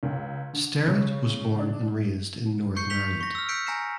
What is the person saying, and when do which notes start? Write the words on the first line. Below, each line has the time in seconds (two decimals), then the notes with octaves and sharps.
Sterritt was born and raised in Northern Ireland.
0.03 C#2
0.53 D3
0.87 C#3
1.59 D4
2.76 C#6 G6 C7 C#7
2.90 G6 B6 F7 G7
3.21 C#6 A#6
3.35 E6 F6
3.49 E6 G6 B6 C#7 D7
3.67 G#5 A#5 A#6 C7 C#7 E7